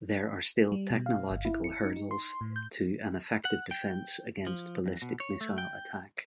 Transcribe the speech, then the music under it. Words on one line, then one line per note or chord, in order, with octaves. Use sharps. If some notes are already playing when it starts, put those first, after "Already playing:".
There are still technological hurdles to an effective defense against ballistic missile attack.
G3
B2
F5
G1
E4
C#7
D#4
D#4
C6
A2
G6
F#5
G5
F3
F2
B2
C#5
A3
G5